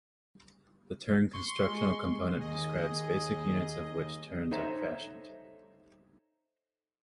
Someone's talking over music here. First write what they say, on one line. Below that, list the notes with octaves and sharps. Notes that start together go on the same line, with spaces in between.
The turn constructional component describes basic units out of which turns are fashioned.
C6 C#6
G#3
D#2 G#4 D#5
D#4 A4 C5 C#5 E5 A#5